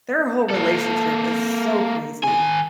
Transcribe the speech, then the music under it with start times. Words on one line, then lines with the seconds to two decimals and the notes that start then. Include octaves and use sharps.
Their whole relationship is so crazy.
0.50 A#3 A4
2.23 D#3 G#5